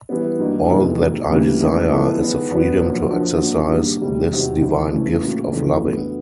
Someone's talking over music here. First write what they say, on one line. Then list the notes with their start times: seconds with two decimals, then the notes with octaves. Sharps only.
All that I desire is the freedom to exercise this divine gift of loving.
0.09 E3 G3 B3
0.39 G2 D#3 F#3 A#3 D#4
0.69 F2 C3 E3 G#3
0.99 G#2 D#3 F#3 A#3
1.30 D2 C#3 E3 G3 A#3
1.60 E3 A3 C#4 E4 G4
1.89 F3 G#3 B3 E4 A4
2.20 D#3 G#3 B3
2.50 E2 B2 F#3 B3
2.80 F#2 D3 F3 A#3
3.10 F3 A#3 D4 F#4 A#4
3.41 G#2 D#3 F#3 A#3 D4
3.71 D3 G3 A#3
4.01 D2 C3 D#3 G3
4.31 E2 C3 D#3 F#3
4.62 C#2 C3 E3
4.92 D2 C#3 E3 A3 C#4
5.22 A2 F#3 A#3 C#4 F4
5.52 F2 C#3 E3 G#3
5.82 D2 D3 F#3 B3